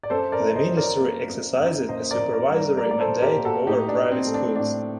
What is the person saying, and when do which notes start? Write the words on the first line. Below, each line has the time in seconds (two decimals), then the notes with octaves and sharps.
The ministry exercises a supervisory mandate over private schools.
0.03 D5
0.10 F#2 A4 C5
0.32 A#4 D5
0.40 F#2
0.56 C5 D#5
0.69 F#3
0.77 A#4 D5
1.00 A#3
1.29 F#2
1.60 F#2
1.89 A#2 C5 D#5
2.11 A#4 D5
2.18 A#2
2.33 A#4 D5
2.48 G3
2.55 A#4 D5
2.77 A#3 A#4 D5
2.91 D5
3.00 A4 C5
3.08 A#2
3.22 G4 A#4
3.37 A#2
3.45 F#4 A4
3.66 A2 D#4 G4
3.88 D4
3.97 A3
4.11 C4
4.27 A3
4.34 D4
4.56 A2 D4